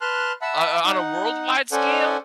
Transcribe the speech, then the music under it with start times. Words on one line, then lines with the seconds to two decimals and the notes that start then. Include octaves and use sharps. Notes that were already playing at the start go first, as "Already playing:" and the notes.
Wha o on a worldwide scale,
0.01 B4 A5 C6 F6 F#6
0.42 E5 F#5 A5 B5 E6
0.84 D#4 F#5
1.72 C#4 A4 C5 D5 F#5 G#5